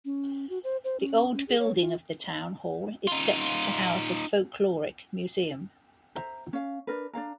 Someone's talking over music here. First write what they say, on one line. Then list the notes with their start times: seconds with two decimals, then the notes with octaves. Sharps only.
The old building of the town hall is set to house a Folkloric Museum.
0.05 C#4
0.50 F#4
0.64 C5
0.84 C5
1.00 C#4
1.34 C#4
1.48 G#4
1.59 C#5
1.78 F4
3.07 D#4 F4
6.15 C5 E5 A#5
6.53 C#4 F5
6.87 D4 A#4 B4
7.13 D4 C#5 F5 A#5